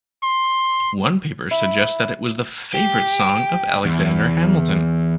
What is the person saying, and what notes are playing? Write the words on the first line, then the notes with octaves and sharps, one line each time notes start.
One paper suggests that it was the favourite song of Alexander Hamilton.
C6
E4
G4
E2